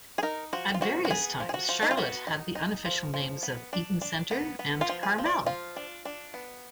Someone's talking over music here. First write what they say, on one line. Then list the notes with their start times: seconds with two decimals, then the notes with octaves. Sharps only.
At various times Charlotte had the unofficial names of Eaton Centre, and Carmel.
0.18 G#4
0.23 D#4 A#4
0.53 F3 F#4
0.74 F4
0.81 F3 F#4
1.05 F#4
1.10 B3 G#4
1.40 F3
1.49 G#4
1.54 F#4
1.69 F3
1.83 D#4
1.91 F4
1.97 B3 F#4
2.27 D#4
2.55 D#4
2.85 F3
3.14 F3
3.43 B3
3.73 D4
4.01 D4
4.31 B3
4.59 B3
4.81 F4
4.89 F3
5.03 G#4
5.18 F3
5.25 D5
5.46 F3 F4
5.76 D4
6.05 D4
6.34 B3